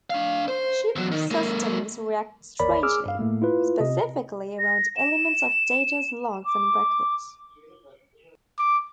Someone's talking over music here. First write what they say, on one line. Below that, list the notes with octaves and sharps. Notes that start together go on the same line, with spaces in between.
Ships systems react strangely, specifically around elements of Data's logs and records.
D4 F5
C5
E2 F#3
D#3
G#3 A#3
G1 D#2 A#4 C#5 D5 B5
G#4 D6 E6 F6
G2 F5
A2 A3 A#3
E4 F4 B4
C3 D#5
A#6
E7
D6
D6